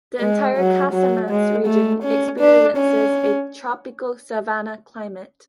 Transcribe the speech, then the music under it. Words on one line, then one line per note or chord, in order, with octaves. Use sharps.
The entire Casamance region experiences a tropical savanna climate.
G#3
F#3
F#3
G#3
A3
C#4
D4
C#4